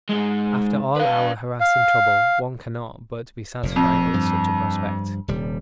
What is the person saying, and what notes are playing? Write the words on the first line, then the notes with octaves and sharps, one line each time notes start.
After all our harassing trouble one cannot but be satisfied with such a prospect.
G#2 G#3
B4 F5
F5
F1 A#2
F2
G2 F3
D#1 C3 G3